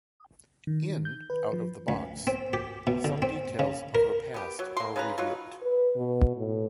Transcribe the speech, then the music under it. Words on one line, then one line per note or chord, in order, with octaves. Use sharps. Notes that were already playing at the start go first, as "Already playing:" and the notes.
In "Out of the Box" some details of her past are revealed.
D#3
D#3
G6
B4
F3
C#2
C4
G4
B2
D3
C4
C#3
A#4
B3 G4
F#3
A#3 C6
C#3 B4 A#5
F#3 D#4 F4
B4
B2
A2